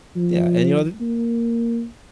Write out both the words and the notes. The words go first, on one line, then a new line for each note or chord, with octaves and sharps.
Yeah, and, you know, the
F3
A#3